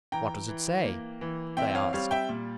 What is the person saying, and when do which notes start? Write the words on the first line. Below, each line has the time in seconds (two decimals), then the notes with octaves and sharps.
"What does it say?" they asked.
0.12 E3 G5 A#5
0.48 E3
0.85 A#3
1.21 E3
1.57 C4 E5 G5
1.75 C#5 F5
1.93 G3 C#5 F5
2.11 E5 G5
2.29 A#2